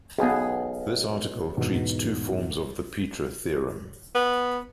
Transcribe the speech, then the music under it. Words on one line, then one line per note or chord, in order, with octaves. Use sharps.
This article treats two forms of the Peetre theorem.
B1 B3 G#4 F5
E2 G#2 B2
B3